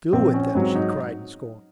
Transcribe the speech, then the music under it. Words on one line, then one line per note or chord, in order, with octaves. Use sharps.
"Do with them!" she cried in scorn.
A#1 C4
C#4
G#2 F#3 C4
D#4